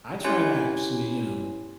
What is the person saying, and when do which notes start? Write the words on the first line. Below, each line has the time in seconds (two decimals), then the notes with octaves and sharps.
I try to actually, you know,
0.24 C#4 E4 G4 C#5 G#5 C6